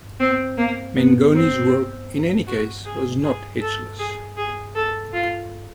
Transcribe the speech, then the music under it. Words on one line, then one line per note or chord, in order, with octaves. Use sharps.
Mengoni's work, in any case, was not hitchless.
C4
A#3
B3
C4
F#4
G#4
G#4
A4
G#4
G#4
A4
F4